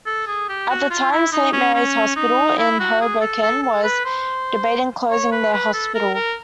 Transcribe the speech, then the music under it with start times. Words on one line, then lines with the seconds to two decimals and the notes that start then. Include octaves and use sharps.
At the time, Saint Mary's Hospital in Hoboken was debating closing their hospital.
0.06 A4
0.27 G#4
0.49 G4
0.70 F#4
0.91 F4
1.11 E4
1.32 D#4
1.53 C#4
1.74 C#4
2.16 D#4
2.58 E4
2.80 F#4
3.01 G#4
3.21 A4
3.42 A4
3.63 A4
3.84 B4
4.05 C5
5.11 C#5
5.32 B4
5.53 B4
5.74 A4
5.95 A#4
6.15 A#4